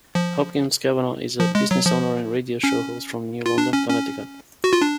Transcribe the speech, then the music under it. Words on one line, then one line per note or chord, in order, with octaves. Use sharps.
Hopkins-Cavanagh is a business owner and radio show host from New London, Connecticut.
F3
F3
G#3
F#3
F3
C#4
F4
D4
C#4
C#4
F#4
F4
D4